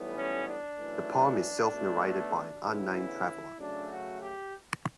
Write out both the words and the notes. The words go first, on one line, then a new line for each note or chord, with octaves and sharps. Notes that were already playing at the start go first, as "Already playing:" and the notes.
The poem is self-narrated by an unnamed traveller.
Already playing: B1 A2 E3 G3 B3
C#4
D4
F#2 E3 A3
B1 B2 A3
D2 C#3 E3 B3 E4
F#2 C#3 F#3 A3 D4
F#4
G4